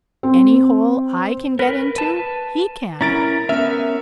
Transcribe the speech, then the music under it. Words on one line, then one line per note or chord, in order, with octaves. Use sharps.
Any hole I can get into he can.
C4
A#4 B4
B4 A5
C#4 E4 A#4 A#5 A6 D7
B3 C#4 A#4 E5